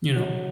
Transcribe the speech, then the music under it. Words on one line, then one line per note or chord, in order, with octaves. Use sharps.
you know?
F#3